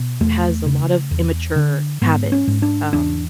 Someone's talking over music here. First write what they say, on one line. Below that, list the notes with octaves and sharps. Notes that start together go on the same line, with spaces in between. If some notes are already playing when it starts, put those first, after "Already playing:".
has a lot of immature habits, um.
Already playing: B2
E2 A3
C#3
E2
D3
G#2 B3
C#4
G#2
D4
E2 D4